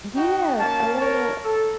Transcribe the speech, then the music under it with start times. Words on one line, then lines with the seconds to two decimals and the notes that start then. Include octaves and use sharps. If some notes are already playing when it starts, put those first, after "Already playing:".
Yeah, I wanna
0.16 D#4 F#4 G5
0.58 A#3 C#4 A5
1.00 A#4 C#5
1.44 A4